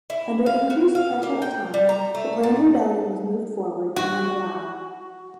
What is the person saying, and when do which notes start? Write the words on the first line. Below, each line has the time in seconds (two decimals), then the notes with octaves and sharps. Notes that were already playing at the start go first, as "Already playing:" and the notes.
Under increased pressure of time, the planned rebellion was moved forward and went awry.
0.10 E4
0.46 F5
0.70 F#4
0.95 F5
1.23 A#3
1.42 G5
1.74 G3
1.89 A#5
2.15 A3
2.43 A#2
3.96 F#4